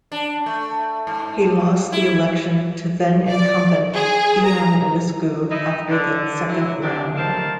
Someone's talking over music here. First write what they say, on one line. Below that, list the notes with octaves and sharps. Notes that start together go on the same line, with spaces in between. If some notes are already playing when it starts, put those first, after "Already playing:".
He lost the election to then incumbent Ion Iliescu after the second round.
D4
A3
G#2
E4
D5
G#4
A#5
D#4 E4 D#5
D3
F#3 E4
C3 D4
A3 D#4 A#4 C5 F5 A5